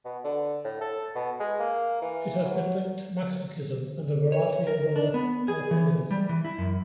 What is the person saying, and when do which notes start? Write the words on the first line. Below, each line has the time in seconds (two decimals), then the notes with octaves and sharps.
It has been linked to masochism and a variety of other paraphilias.
0.04 B2
0.24 D3
0.64 A2
0.81 A4
1.15 B2
1.39 G#3
1.59 A#3
2.01 E3
2.45 F#3
4.32 C#5
4.67 A#4
4.96 D4
5.14 B3
5.48 G#4
5.71 E3
6.11 G3
6.29 E3
6.45 E4
6.58 F#2